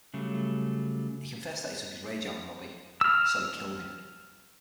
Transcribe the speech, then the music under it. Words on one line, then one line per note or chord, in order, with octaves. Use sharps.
He confessed that he took his rage out on Robie, so he killed him.
C#3 F#3 G3 A3
E6 F6